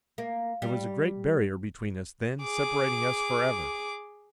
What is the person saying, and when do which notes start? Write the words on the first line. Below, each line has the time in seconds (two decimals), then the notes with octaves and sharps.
There was a great barrier between us then separating us forever.
0.18 A#3
0.62 G3
2.42 G#4 D6